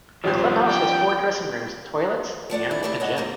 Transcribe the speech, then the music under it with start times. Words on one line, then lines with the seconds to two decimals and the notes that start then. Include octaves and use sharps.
The clubhouse has four dressing rooms, toilets and a gym.
0.24 G#1 F3 G3 C#4 F4 C5
0.68 D5 G5 D6
2.50 F3 A3 D5 F#5
2.71 E4
2.83 A2 C#3 A3 E4 G4
3.00 C#5 D#5 F#5
3.17 G#2 A#3 A#5